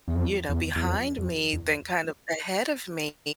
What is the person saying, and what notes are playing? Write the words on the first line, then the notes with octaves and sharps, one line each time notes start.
you know, behind me than kind of ahead of me,"
E2
F2
E2
E2
F2
F2
E2